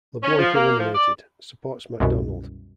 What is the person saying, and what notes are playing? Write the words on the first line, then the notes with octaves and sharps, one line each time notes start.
LeBlanc eliminated, supports MacDonald.
C#4
F3
A#3
F3
D5
C2 F#2 B2